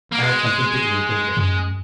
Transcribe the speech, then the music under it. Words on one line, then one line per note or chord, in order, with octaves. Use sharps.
I had something to eat and drink.
A#3
G#3
F#2